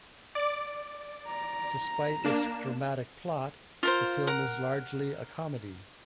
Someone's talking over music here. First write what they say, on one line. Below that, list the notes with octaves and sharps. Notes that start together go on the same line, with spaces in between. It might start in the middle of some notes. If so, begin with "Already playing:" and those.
Despite its dramatic plot, the film is largely a comedy.
D5 D6
A#5
A#3 D4 E7
F4 A#4 C5
A#4 F#5